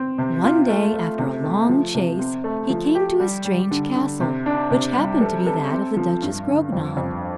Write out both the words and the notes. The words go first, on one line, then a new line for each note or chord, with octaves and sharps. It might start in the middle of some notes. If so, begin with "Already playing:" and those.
One day, after a long chase, he came to a strange castle, which happened to be that of the Duchess Grognon.
Already playing: C4
C3
F4
A3
A3
C3
A3
F3
C3
C4
A3
F3
G4
G3
G3
D3
D3
C3
D4
C3
G3
A4
A4
C4
F3
G2
D3
F2
F2